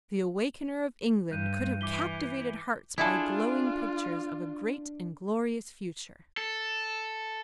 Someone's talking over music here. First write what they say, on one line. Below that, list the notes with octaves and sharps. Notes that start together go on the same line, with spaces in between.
The awakener of England could have captivated hearts by glowing pictures of a great and glorious future.
G2 F#6 G6 D#7
E3 D6 B6 G7
D4 E4 F4 G#4 A4
A4